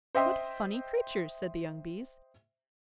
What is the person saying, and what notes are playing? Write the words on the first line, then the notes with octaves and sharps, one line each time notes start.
"What funny creatures!" said the young Bees.
C5 D#5 E5 G5 C6 D#6